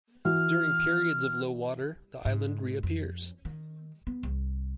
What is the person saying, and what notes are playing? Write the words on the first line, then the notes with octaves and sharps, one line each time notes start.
During periods of low water the island reappears.
E3 F#4 F6
G#2
F2
D#3
B3
C2